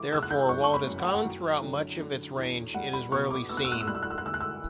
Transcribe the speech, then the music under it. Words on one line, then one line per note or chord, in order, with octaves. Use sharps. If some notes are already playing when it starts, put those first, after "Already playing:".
Therefore, while it is common throughout much of its range, it is rarely seen.
Already playing: E3 D6
C#3 E6
F#6
G6
F#2 C#6
C#6
B5
F#2
F#5
G5
F#5
F#3
D3
D3
E2
G3 F#5
B5
B2 C#6
D6
B3 E6
F#6
E6
F#6
E6
G3 F#6
E6
F#6
E6
F#6
D2 E6
F#6
E6